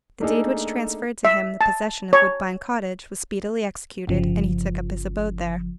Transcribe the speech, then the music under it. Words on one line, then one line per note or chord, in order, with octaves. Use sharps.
The deed which transferred to him the possession of Woodbine Cottage was speedily executed, and he took up his abode there.
A3 A#3 D4 D#4 G#4 A4
E5
A5
C#5
G1 C#3 F3